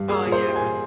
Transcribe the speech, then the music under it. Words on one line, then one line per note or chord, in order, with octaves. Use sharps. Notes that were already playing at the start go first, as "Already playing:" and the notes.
Oh, yeah.
Already playing: G2
A#3 G#4
A#2
C5
G3
G#5
A#2